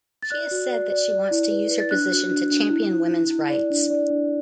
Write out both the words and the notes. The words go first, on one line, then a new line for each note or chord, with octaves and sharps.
She has said that she wants to use her position to champion women's rights.
A6
D5 F#6
F#4
D5
D5
D5
E4
B4
B4
A6
D4 F#6
F#4
D4
D4
E4
E4
E4
E4
D5
D4
D5
D4